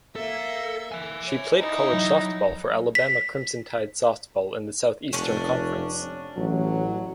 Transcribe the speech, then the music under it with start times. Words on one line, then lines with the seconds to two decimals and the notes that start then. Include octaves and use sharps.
She played college softball for Alabama Crimson Tide softball in the Southeastern Conference.
0.16 A#3 A4 E5
0.92 E5 G#5
1.27 C#5
1.59 D#4 E4
1.93 F#3
2.95 B6
5.13 F1 C#4 D4
6.37 A1 F#3